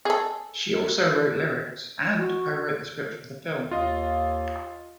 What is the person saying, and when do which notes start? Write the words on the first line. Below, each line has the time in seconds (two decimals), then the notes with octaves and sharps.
She also wrote lyrics and co-wrote the script for the film.
0.05 G#4 A4
2.17 F#4
3.71 D#2 F4 D#5